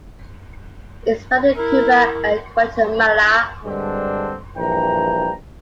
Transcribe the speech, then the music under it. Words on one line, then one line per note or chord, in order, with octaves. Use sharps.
It is found in Cuba, and Guatemala.
E4 A#4
G2 D3 G#3 C4 D4
A#1 G2 E3 G5 A#5